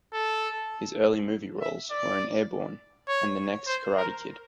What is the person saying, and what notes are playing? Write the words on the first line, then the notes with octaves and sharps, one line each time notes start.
His early movie roles were in "Airborne" and "The Next Karate Kid".
A4
E5
D5
C#5
C5
A#4